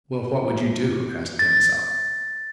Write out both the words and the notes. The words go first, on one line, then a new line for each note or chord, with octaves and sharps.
"Well, what would you do?" asked Denisov.
A6